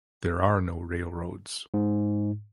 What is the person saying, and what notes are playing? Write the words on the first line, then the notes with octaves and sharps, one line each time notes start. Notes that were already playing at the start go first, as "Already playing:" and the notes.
There are no railroads.
G#2